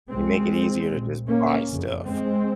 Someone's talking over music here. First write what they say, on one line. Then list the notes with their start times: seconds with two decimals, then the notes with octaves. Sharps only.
they make it easier to just buy stuff.
0.10 C2 C3 G#3 C4
0.89 A#1 A#2
1.27 A#3 C#4
1.67 F#1 F2 C#3
2.06 G#3 C4